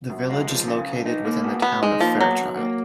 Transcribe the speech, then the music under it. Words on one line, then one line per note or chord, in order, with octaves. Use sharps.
The village is located within the Town of Fairchild.
F#2
G#3
F3
C#3
B1
D#4
A#3
B2
B1 B3
G#3 D#4
F3 A#3
B2 F#3
D#2
A#3